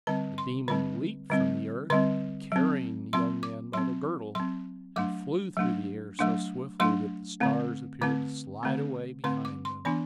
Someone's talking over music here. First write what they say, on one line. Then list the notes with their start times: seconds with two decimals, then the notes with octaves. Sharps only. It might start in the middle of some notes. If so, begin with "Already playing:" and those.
The Demon leaped from the earth, carrying the young man by the girdle, and flew through the air so swiftly that the stars appeared to slide away behind them.
0.07 D3 G3 C4 A5
0.38 C6
0.68 D3 G3 C4 B5
1.30 D3 G3 C4
1.90 D3 G3 C4 C6
2.52 F#3 C4
3.13 F#3 C4 C6
3.43 D6
3.73 F#3 C4 C6
4.35 F#3 C4 C6
4.96 F#3 A3 D4 D6
5.57 F#3 A3 D4
6.19 F#3 A3 D4
6.80 F#3 A3 D4 C6
7.40 D3 A3 C4
8.01 D3 A3 C4 D6
8.63 D3 A3 C4
9.24 D3 A3 C4 C6
9.45 D6
9.65 C6
9.85 E3 B3 D4 B5